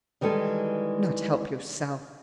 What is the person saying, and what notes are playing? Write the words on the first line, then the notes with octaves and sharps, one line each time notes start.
"Not help yourself!"
D#3 E3 G3 G#3 A4